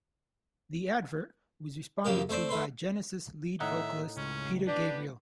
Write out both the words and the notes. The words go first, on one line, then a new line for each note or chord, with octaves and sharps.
The advert was responded to by Genesis lead vocalist Peter Gabriel.
F#2 C#3 A#3 G4 A#4
A3 C4 C5 D5
A3 B4 C6
A2 D#3 D#4 E5 F#5
C#2 C#4
B3 D4 G4